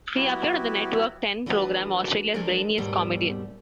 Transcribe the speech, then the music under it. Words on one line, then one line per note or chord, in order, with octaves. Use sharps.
He appeared on the Network Ten program "Australia's Brainiest Comedian".
F#3 B3 E4 F#4 G4
E3 A3 D4 F#4 B4
F3 G#3 A3 D4 A4 A#4
D#2 G#2 B2 D#3 G3 A3